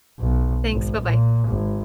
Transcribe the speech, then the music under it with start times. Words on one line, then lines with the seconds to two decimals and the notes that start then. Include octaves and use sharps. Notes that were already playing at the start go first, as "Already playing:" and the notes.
Thanks, bye-bye.
0.19 B1
0.70 G#1
1.03 A#2
1.48 G#1